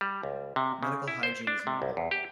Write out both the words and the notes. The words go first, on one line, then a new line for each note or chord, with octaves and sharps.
Medical hygiene is minimal.
G3
C#2
C3
C#3
E4
C5
D4
C3
C2
E2
G4